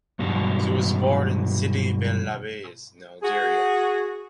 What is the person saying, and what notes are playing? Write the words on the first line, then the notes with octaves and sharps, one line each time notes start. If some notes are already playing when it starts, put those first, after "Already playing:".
He was born in Sidi bel Abbes in Algeria.
G2 B2 F#3 G3
F#4 G#4